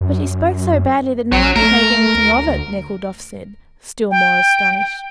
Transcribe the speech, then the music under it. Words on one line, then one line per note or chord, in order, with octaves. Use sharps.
"But he spoke so badly that no one could make anything of it," Nekhludoff said, still more astonished.
F#2
A#1 F#3
A3 A#4
D2
G5